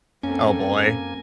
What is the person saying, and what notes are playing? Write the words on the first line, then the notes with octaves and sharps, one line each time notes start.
Oh, boy.
F#2 A#3 C4 C#4 A4 G#5